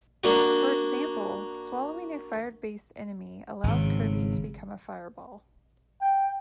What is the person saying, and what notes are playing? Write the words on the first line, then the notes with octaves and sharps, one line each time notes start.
For example, swallowing a fire-based enemy allows Kirby to become a fireball.
A#3 D4 F#4
G#1 C#3
G5